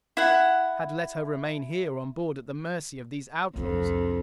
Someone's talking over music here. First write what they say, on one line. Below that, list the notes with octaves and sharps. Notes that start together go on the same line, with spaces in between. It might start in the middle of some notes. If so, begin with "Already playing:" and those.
Had let her remain here on board at the mercy of these outlaws.
E4 F#5
C2 F2 D4